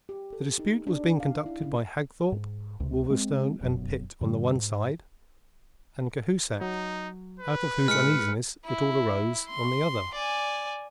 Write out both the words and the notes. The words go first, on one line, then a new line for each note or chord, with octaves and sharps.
The dispute was being conducted by Hagthorpe, Wolverstone, and Pitt on the one side, and Cahusac, out of whose uneasiness it all arose, on the other.
G4
A4
D#4
D4
F5
E4
C#3
G#2
C#2 C3
G#3 C4
F1 F#2 B2
G2 D3 F3 G3
G#2
F#3 D#4
B4
A2 G#3 F6 C#7
E4
C6
D5 G#5